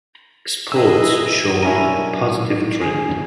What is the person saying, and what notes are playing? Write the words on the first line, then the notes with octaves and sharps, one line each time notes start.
Exports showed a positive trend.
G#4 B4 D#5 E5 E6
B1 C#4 D4 E4 A#4 G#5 A#5
G#4